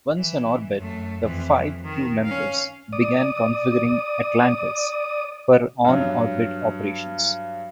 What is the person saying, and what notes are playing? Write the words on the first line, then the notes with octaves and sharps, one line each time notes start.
Once on orbit, the five crew members began configuring "Atlantis" for on-orbit operations.
E3
F#2 A3
F2 E3
D#3
C#4 F5
D5 D#6
G2 F#3